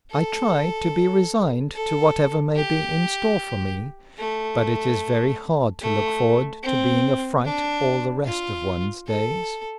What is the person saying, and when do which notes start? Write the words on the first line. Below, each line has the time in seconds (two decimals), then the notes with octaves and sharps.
I try to be resigned to whatever may be in store for me, but it is very hard to look forward to being a fright all the rest of one's days.
0.11 A4
1.74 A4
2.56 G4
4.18 A3
5.82 A3
6.63 C4
7.44 D4
8.26 F4
9.07 A4